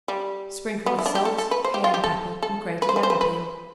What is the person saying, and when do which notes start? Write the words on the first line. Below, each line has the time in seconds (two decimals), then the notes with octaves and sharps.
Sprinkle with salt, cayenne pepper and grated lemon peel.
0.08 G3
0.86 B3
0.99 E4
1.06 D4
1.15 G4
1.25 A4
1.38 A4
1.51 B4
1.64 C5
1.74 G4
1.84 F4
1.94 G4
2.04 A4
2.42 A4
2.82 B4
2.89 C5
2.96 B4
3.03 C5
3.10 B4
3.21 B4